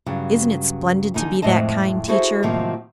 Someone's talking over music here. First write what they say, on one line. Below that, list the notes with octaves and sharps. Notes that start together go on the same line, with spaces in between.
"Isn't it splendid to be that kind, teacher?"
G2 C#3 F#3
D#2 D3 D#4 G#5
F2 A2 G#3 D#5 A5
E4 F#4 G#4 A4 C5 E5
A2 C3 D#3 F3 F#3 A#3